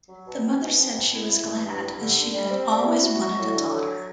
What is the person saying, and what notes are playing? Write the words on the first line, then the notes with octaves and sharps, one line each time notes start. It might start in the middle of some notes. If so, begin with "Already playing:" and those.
The mother said she was glad, as she had always wanted a daughter.
F#3
B2
C4
B2
C4
B2
E4
E4
E3
G2
G2
D3
D3
G3
C4
G3
E4
F#4
F#4
A2
D3
F#3